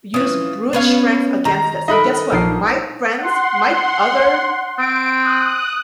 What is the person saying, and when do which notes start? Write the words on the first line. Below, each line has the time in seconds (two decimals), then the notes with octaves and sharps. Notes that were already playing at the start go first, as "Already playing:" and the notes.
use brute strength against us, and guess what? My friends, my other
0.14 E3 C#4 F4 D#6
0.73 B3 C#4 F5
1.45 D#3 A#5
1.88 D#4 A4 A#4 D#5 E5 B5 F#6
2.32 A#1 D#4 A#4 C7
3.18 F#5 C6
4.79 C4 D7
5.23 D#6 F#6